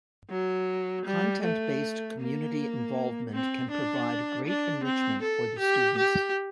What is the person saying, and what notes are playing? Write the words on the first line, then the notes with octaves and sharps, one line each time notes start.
Content-based community involvement can provide great enrichment for the students.
F#3
G3
A3
A#3
C4
D4
D4
C4
A4
G4
G4